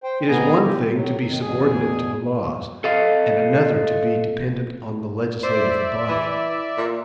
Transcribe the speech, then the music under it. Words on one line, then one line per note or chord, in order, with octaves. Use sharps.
It is one thing to be subordinate to the laws, and another to be dependent on the legislative body.
C5 G5
A2 B3 G#4 D#5 G#5 A#5
G4
A2 F#3
D#3
E2 B2 G#4 G#5
A4 D#5 F5
C5 D5 E5
E3
A#2